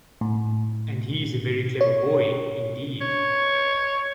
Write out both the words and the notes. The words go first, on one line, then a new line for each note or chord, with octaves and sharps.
And he is a very clever boy, indeed.
A2
C#5
C#5